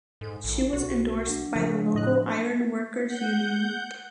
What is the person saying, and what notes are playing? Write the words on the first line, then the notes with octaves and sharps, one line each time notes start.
She was endorsed by the local Iron Workers Union.
G#2 A4
A#1
B1 F#4
F#3 D4
C#3 F3 A#4
A2 D#5 F#6
F#5 G6